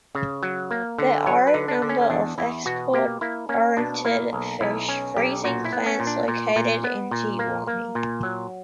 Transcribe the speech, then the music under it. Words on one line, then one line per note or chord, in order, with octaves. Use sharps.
There are a number of export oriented fish freezing plants located in Jiwani.
C#3
F#3
A#3
D3
F#3 C#5
B4
D3
D4
D3
C#4
C#4
E2 D4
E2 E4
B2 F#4
A#3 G4
A#3 E4
A#3 C#4
B2 D4
A#3 E4
B1
B1 E4
C#4
B1 G4
A#2 F#4
E4
B3
C#4
A#2
D4
A#2
A#2
B3
A#2
A#3
A#3
A#2
F#3